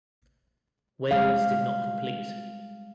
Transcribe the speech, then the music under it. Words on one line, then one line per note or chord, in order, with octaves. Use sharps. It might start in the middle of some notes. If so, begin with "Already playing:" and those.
Wales did not complete.
G3 G#3 F5